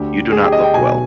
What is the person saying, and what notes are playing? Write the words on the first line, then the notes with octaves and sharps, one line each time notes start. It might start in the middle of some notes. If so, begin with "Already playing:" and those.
You do not look well.
Already playing: D2 D3 G4
G#4
G4
D#5
G5
B1 B2 G#5